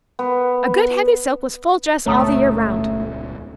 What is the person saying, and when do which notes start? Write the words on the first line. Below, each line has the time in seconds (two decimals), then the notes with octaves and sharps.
A good heavy silk was full dress all the year 'round.
0.19 B3
2.06 D#1 C#2 A3 C#4 C#5 A#5 D#6